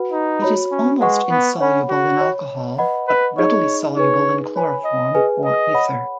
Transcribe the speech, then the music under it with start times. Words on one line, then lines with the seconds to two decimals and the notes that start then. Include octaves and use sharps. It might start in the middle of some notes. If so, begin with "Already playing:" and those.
It is almost insoluble in alcohol but readily soluble in chloroform or ether.
Already playing: F#4 B4 F#5 B5
0.12 D#4
0.42 F#4 C#5 B5
0.72 C#4
1.00 G#3 B4 F#5 C#6
1.30 B3
1.60 C#4 C#5 F#5 B5
1.90 F#4
2.19 C#5 B5
2.78 B4 D#5 F#5 B5
3.08 B4
3.38 D#4 G#4 C#5 D#5 B5
3.97 D#4 G#4 B4 C#5 G#5
4.56 B4 C#5 G#5 B5
4.85 D#5
5.15 G#4 B4 G#5
5.44 D#5
5.73 C#5 F#5 B5